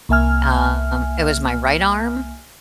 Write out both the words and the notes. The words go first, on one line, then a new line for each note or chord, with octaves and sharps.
Um, it was my right arm,
C2 A#3 E5 G#5 F6